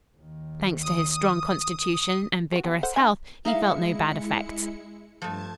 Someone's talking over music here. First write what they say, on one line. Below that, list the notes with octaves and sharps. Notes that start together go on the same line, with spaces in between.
Thanks to his strong constitution and vigorous health, he felt no bad effects.
D#2 D#3
D#6
F#4 A4
F3 G3 B3
A4 C5 F#5
D4 G#5
G#3 D#4 E4 E5 F5 C#7
G2 F3 A3 A5 G#6